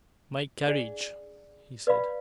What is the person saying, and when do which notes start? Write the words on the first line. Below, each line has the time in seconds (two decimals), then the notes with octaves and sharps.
"My carriage!" he said.
0.66 D4 G#4 D5 F#5
1.87 B4 D5 F5 B5